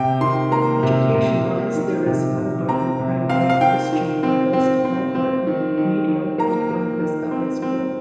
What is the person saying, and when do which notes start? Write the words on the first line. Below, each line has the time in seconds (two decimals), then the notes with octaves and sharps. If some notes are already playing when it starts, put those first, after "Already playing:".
Education-wise there is Mulbarton Primary; Christian Harvest; Mulbarton Remedial and Glenvista High School.
Already playing: C3 G5
0.21 D#3 C6
0.52 A#3 A#5
0.83 C3
1.14 C3
1.45 A#3
1.76 D#3
2.06 C3
2.38 C3
2.68 C4 A#5
2.99 C3
3.29 C4 F5
3.50 F5
3.60 D#3 G5
3.92 D#3
4.23 C4
4.53 C4
4.85 C4
5.15 C4
5.47 D#3
5.77 D#3
6.08 D#3
6.38 A#3 A#5
6.70 A#3
7.01 D#3
7.31 C4
7.62 C4